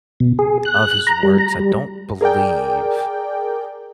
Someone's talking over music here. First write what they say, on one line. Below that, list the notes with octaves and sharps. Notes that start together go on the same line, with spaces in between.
of his works, I don't believe.
B2
G#4
F#6
A#5
G3
A#5
G3
G#4 A#4 D5 G5